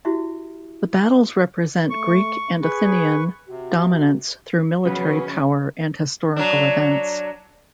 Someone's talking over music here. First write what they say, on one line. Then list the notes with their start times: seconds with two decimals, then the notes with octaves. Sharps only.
The battles represent Greek and Athenian dominance through military power and historical events.
0.05 E4 F#4 G4 E5
1.90 A3 C#6
2.63 G#4 B4 C#6
3.49 C3 F#4
4.85 C#3 F3 F#3 B3 C#4 F#4 B4
6.36 F#3 D4